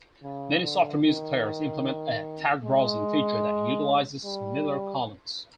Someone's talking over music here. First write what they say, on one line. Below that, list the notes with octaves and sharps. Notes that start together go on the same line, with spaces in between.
Many software music players implement a "tag browsing" feature that utilizes Miller columns.
C#3
D3
D#3
G#3
G3